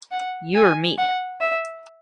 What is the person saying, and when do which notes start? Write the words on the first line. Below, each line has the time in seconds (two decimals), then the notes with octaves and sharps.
You or me?
0.11 F#5
0.55 G#5
0.98 F#5
1.40 E5